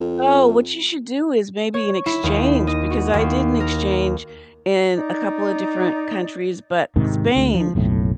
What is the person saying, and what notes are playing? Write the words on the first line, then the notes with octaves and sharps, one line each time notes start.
Oh, what you should do is maybe an exchange, because I did an exchange in a couple of different countries, but Spain.
F2
C#5
E4
D#2
D#5
F#4
D#2
A#4
D#4 D5
G#2 C3 D#3
D2
F3
F#1 B1 A2